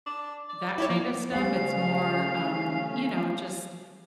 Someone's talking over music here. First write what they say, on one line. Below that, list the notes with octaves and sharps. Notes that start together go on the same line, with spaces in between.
that kind of stuff, it's more, um, you know, just
D4
D5
E4 G4 C#5
F3 D5
C#3 G3 A3 C#4 C5 F5